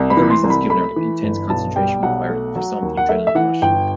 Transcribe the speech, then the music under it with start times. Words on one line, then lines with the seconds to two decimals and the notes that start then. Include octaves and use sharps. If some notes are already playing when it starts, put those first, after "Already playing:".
Other reasons given are the intense concentration required and, for some, the adrenaline rush.
Already playing: C2
0.10 B5
0.17 E3
0.30 C6
0.44 C2
0.50 B5
0.70 A3 B5
0.96 E3
1.23 G1
1.50 B1 A5
1.76 G3 G5
2.03 B1 F#5
2.29 A3
2.55 F#3
2.82 D#2
2.97 F#5
3.09 A3 E5
3.27 E5
3.35 E3 F#5
3.62 G1 G5